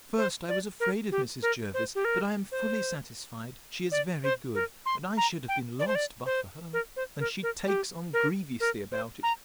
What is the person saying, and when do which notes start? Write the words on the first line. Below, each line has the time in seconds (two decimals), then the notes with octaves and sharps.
At first I was afraid of Mrs. Jervis; but I am fully satisfied she is very good, and I should have been lost but for her; and she takes on grievously about it.
0.18 C5
0.49 D5
0.80 A#4
1.12 G4
1.42 A#4
1.74 C5
1.95 G4
2.05 A#4
2.52 C5
3.92 D5
4.24 C5
4.55 A#4
4.86 C6
5.17 A#5
5.48 G5
5.79 D5
5.87 C5
5.95 D5
6.26 C5
6.73 A#4
6.96 C5
7.20 A#4
7.43 A#4
7.67 G4
8.13 A#4
8.60 A#4
8.92 C5
9.23 A#5